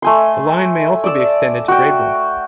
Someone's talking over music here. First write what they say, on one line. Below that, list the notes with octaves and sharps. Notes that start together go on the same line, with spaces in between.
The line may also be extended to Braidwood.
A3 G#5 C6
D5 E6
F#4 G5